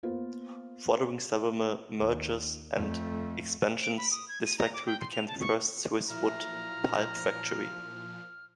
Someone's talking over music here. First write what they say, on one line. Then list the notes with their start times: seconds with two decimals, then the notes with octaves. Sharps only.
Following several mergers and expansions, this factory became the first Swiss wood pulp factory.
0.03 A#3 B3 F4 C5
1.98 D#2
2.75 F2 A3
3.82 D7
3.97 B5
4.11 D#6
4.28 G#6
4.45 D#7
4.58 A#5
4.73 D6
4.86 G5
5.00 C6
5.12 F7
5.28 A5
5.40 C#6
6.10 A#2 F3 F#3 E4 A#5 F6